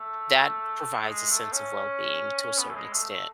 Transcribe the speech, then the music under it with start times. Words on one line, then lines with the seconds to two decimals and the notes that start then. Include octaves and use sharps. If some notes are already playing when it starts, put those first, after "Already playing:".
that provides a sense of well-being to a certain extent.
Already playing: A3
0.96 A3
1.07 G#3
1.30 A3
1.52 C#4
2.42 C#4
2.58 B3
2.69 A3
2.76 G#3
2.93 A3
3.09 A3